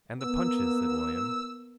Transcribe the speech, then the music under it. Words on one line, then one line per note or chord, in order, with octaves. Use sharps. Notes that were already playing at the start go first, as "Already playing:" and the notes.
'And the Punches,' said William.
A#3 B3 E6